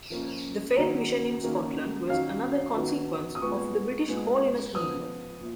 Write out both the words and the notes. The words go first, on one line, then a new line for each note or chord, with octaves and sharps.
The Faith Mission in Scotland was another consequence of the British Holiness movement.
F3 A#3 C#4
D#3 F#3 A#3 C#4 A#5
D#3 F#3 A#3 C#4
D#3 F#3 C#4 F5
D#3 F#3 B3
D#6
A#2 G#3 B3 C#6
A#2 G#3 B3
F3 B3 D#6
A#2